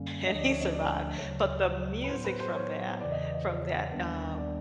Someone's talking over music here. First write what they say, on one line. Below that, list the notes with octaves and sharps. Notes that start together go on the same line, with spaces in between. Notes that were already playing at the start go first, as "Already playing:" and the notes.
and he survived. But the music from that from that, um,
Already playing: F#2 D3 G3 A#3 C#4
D2 D3 F3 A3 D4 D#5
D5
C#5
D#5
D5
D2 C#3 F#3 C#5
C#5
B4
A2 F#3 B3 C5
B4
C5
C#5
E2 C#3 E3 D5
D#5
D5
D#5
D5
D#2 D#3 G3 B3 D4
D5